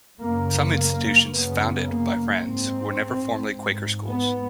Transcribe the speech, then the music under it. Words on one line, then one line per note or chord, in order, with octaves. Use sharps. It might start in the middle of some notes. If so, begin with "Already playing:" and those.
Some institutions founded by Friends were never formally Quaker schools.
F#2 C#3 A#3
A#3
F#2 C#3 B3
A#3
G#2 C4
G#2
B3